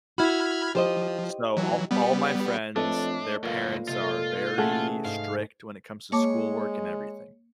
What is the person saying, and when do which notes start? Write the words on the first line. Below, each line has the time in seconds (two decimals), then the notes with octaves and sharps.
so all all my friends their parents are very strict when it comes to schoolwork and everything.
0.18 E4 F#4 B5 F6 G#6
0.75 F3 G4 C5 D#5
1.57 E3 F#3
1.91 G3 B3
2.76 F2 A3 D4 B4 C#5 D#5
3.43 C#2 F#2 A#2 A#4 B4 F5
3.87 C3 G#3 F4 A4
4.58 A1 A3 G#4 F#5
5.05 G#2 F5
6.12 G#3 A#3 C#5 A5 D6